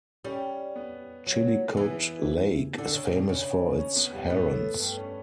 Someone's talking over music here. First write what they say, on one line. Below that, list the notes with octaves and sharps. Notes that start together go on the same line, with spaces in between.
Chillicote lake is famous for its herons.
G3 C#4
B3
F#3
E3 B3
D3 D4
C#3
C#3
B2
C#3
C#4
B3
G3
A2 B3
G2 A3
C#4